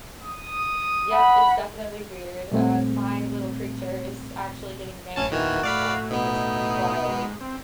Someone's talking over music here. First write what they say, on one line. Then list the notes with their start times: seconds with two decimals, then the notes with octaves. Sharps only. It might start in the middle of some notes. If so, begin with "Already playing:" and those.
Yup, it's definitely weird. Uh, my little creature is actually getting married next month, which is m wild.
0.22 D#6
1.12 F#5 B5
2.51 A#2 G3 A3 C4
5.16 A1 C#4 A5
5.32 E2 A#2 D#3 E3 F#4
5.63 A2 D5 F5 B5
6.10 B2 B3 D#4
7.08 G#2
7.41 C4